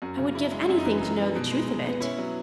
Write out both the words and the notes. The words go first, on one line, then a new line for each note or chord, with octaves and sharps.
I would give anything to know the truth of it.
F#2 F#4
C#3
F#2 E4
G#3
F#2 E4
D#4
E3
F#2 D#4
B3
B2
G#3
B2
B3
C#4 E4
F#3